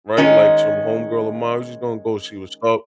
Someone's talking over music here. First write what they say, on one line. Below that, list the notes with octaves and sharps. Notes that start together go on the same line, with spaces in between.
right? Like, some homegirl of mine, I was just gonna go see what’s up,
D#3 G#3 C#4 D#4